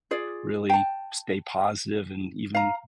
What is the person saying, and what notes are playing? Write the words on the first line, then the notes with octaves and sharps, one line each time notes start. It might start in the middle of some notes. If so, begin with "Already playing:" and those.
really stay positive and even,
F4 G#4 D5
G5 A5
F5 A#5